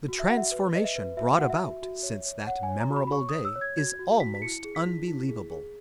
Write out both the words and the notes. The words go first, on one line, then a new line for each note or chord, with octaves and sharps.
The transformation brought about since that memorable day is almost unbelievable.
F#4
E5
F#4 F#5
E5
B4
B4 D#5
E5
B4
F#4 E5
F#4 F#5
E5
F#4
F#4
C#5
C#5
C#5 F#5
G#5
C#5
A#5
F#4
B5
B5
C#5 C#6
C#5 D#6
E6
C#5
G#6
F#4 G#6
F#4
F#4 B6
B6
E4 C#7
G#4
B6
E4
E4
G#4
G#4